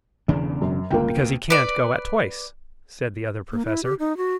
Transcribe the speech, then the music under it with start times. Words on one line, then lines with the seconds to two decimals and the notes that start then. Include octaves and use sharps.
"Because he can't go at twice," said the Other Professor.
0.28 E1 E2 C#3 D4
0.62 F#2
0.90 G1 C#2 A#3 F4 G5
1.15 D2 B2
1.50 B4 D5
3.52 A#3
3.66 E4
3.84 G4
3.99 D#4
4.17 F#4